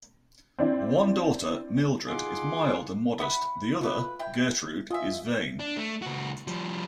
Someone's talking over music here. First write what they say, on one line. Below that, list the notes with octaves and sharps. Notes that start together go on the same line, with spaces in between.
One daughter, Mildred, is mild and modest; the other, Gertrude, is vain.
C4 D4 E4
D#4 F4 G#4 F#5 C6 D6
E4 F#5 B5
B2 A3 F4 B4
E4 G5
F4 D#5 E5 G#5
D4
A3
C#2 F#4
F3 G3